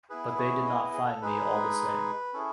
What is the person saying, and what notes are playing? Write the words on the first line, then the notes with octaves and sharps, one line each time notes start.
But they did not find me all the same.
B3 E4 G#4 B4
C#5
D#5
D#5
G#4
A4
G#3 D#4 G#4 B4
C#4 E4 G#4 A4